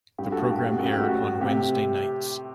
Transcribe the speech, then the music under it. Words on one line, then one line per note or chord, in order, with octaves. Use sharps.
The programme aired on Wednesday nights.
G2 G4
F#4 A4
A3
G4
A3 G4
F#4
F#2
G4
A3 F#4
A2
C3 G4